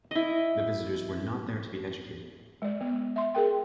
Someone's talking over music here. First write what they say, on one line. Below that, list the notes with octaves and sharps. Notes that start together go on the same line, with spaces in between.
The visitors were not there to be educated.
E4 D#5
G#3 D5
G#3 B3
E5 C6
G#4 A#4 G5